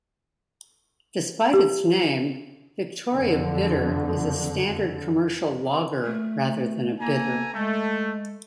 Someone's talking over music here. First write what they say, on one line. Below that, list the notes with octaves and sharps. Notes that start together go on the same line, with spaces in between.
Despite its name, Victoria Bitter is a standard commercial lager rather than a bitter.
G4
F#1 F2 D3
A3
A#3 A4 G#5 A#5
G#3 A3